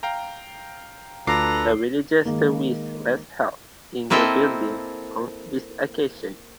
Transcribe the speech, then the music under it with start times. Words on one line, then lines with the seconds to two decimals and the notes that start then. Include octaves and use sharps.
A religious service was held in the building on this occasion.
0.03 F5 G5 A#5
1.27 D2 D4 F4 A4 B4 A#5 D6 C7
2.25 D#3 G#3 A#3
4.10 A#3 C4 E4 A4 D#5 G5